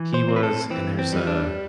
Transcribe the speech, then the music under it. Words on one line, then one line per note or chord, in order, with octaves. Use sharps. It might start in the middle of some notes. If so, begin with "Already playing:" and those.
He was, and there's a
Already playing: E3
C5
C4
B4
A4
E3 C4
C4
G3
D4